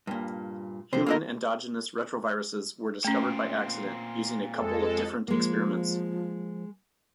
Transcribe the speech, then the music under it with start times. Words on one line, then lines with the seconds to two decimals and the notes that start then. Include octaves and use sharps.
Human endogenous retroviruses were discovered by accident using a couple of different experiments.
0.07 G2 A#2
0.93 C3 F3 C5
1.06 A#3 B3 F4 A4 A#4 D#5
3.05 A#2 A3 C4 C#4
4.54 F2 G#3 A4
5.28 F3 G#3 A#3